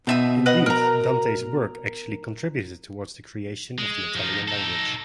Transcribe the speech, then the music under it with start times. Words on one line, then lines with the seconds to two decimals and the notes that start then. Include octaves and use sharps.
Indeed, Dante's work actually contributed towards the creation of the Italian language.
0.07 B2 D#4 E5 D#6
0.46 B4 D#5 F#5
0.66 A#4 A#5
3.78 G#3
4.15 F3 D#4
4.48 D#4 A4